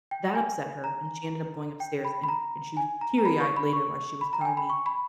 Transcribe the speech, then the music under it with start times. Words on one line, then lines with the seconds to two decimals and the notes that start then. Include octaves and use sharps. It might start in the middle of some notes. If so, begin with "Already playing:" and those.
that upset her, and she ended up going upstairs, and and she was teary eyed later while she was telling me
0.11 G5
0.35 G#5
0.84 A#5
1.80 G5
2.05 B5
2.23 B5
2.29 A#5
2.77 G#5
3.01 A#5
3.18 A#5
3.25 B5
3.41 C#6
3.57 B5
3.73 C#6
4.21 B5
4.33 A#5
4.41 G5
4.45 G#5
4.57 B5
4.70 C#6
4.86 B5